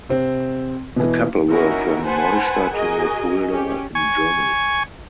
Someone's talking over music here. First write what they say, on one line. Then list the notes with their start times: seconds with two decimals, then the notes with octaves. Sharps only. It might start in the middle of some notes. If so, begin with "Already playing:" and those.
The couple were from Neustadt near Fulda in Germany.
0.09 C3 C4
0.96 B2 E3
1.49 C#4 D#4 E4 F#4 A#4
2.07 B4 C5 F#5 G#5 A5 B5
2.74 F#4 G#4 A#4 D#5 G#5
3.52 C#4 G4
3.95 G#5 C#6